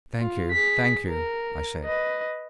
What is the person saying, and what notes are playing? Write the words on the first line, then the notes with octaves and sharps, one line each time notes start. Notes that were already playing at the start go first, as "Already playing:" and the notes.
"Thank you, thank you," I said.
F4
G#4 B6
A#4
B4 D#5